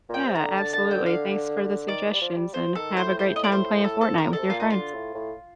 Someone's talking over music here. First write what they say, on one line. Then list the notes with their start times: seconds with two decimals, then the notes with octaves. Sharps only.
Yeah, absolutely. Thanks for the suggestions and have a great time playing Fortnite with your friends.
0.09 A#2 G5
0.25 C3
0.36 D#3 A#5
0.42 D3
0.58 A5
0.73 A5
0.91 G5
1.06 F5
1.88 D#3 D5
2.05 D#3
2.14 G3
2.21 F3
2.37 G3
2.54 F3 C5
2.75 D#3 A4
2.97 A2 C5
3.19 C5
3.36 D#5
3.44 D5
3.52 C5
3.84 A4
4.01 F3 A4
4.15 D#3 A#4
4.27 D3
4.33 C3 A4
4.50 A#2 F4
4.60 D#4
4.70 D3 F4
4.94 A2
5.15 A2